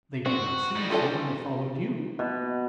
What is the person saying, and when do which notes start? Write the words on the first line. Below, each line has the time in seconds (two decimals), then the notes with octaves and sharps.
"They did not seem so when they followed you."
0.26 C4 F#4
0.76 G3 D#4
0.90 F4 A4 G#5
2.19 B2